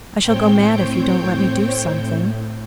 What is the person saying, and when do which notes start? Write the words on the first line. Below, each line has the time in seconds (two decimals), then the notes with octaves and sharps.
I shall go mad if you don't let me do something.
0.22 A2 C4 C5 C#5 G5 G6
1.89 A2